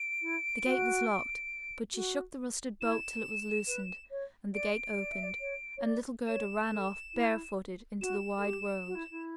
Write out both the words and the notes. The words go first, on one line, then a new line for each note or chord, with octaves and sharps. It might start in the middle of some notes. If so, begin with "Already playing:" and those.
The gate was locked, but she shook the rusted bolt till it was loosened, and the gate opened; and little Gerda ran off barefooted into the wide world.
Already playing: D7
E4
F#4
F#4
E4 E7
B4
C#5
D5 D7
D5
E5
D5
C#5
C#5
D5
C#5 E7
A4
E4
F#4 E7
A4
G4
F#4
E4
E4